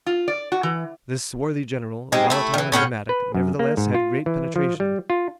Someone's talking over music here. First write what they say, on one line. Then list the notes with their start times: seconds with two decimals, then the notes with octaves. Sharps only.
This swarthy general, volatile and dramatic, nevertheless had great penetration.
0.06 F4
0.28 D5
0.52 F#4
0.63 E3
2.12 G3 G#3 C4 D#4
2.30 A3 E4
2.54 D#3 E3
2.72 A2 C#4 F#5 G5
3.09 B4
3.34 F#2
3.59 A#3
3.77 G#2
3.95 F4
4.26 E3
4.56 F3
4.80 G3
5.10 F4